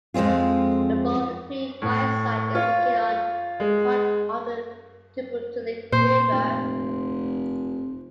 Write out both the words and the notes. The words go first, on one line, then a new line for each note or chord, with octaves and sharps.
The Boulder Creek mine site is located on part of the Tubutulik River.
F2 F3 G#3 C4 F4
A2
F4 C#5
G#3
A#2 C5
F1